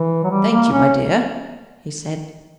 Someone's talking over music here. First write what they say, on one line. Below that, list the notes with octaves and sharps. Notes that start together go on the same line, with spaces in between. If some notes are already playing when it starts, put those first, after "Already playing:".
"Thank you, my dear," he said.
Already playing: E3
F#3
G3
A#3
C#4